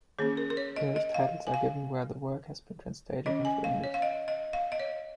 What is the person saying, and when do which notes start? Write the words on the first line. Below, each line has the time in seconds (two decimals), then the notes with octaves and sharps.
English titles are given where the work has been translated into English.
0.19 D#3 A#3 C#4 G#4
0.37 A#4
0.50 A#4
0.57 C#5
0.76 D#5
0.96 D#5
1.14 F5
1.47 G#5
1.54 F5
3.26 D#3 C#4 D#5
3.45 G#5
3.64 F5
3.84 C#5
3.94 F5
4.02 D#5
4.28 D#5
4.53 F5
4.72 D#5
4.80 C#5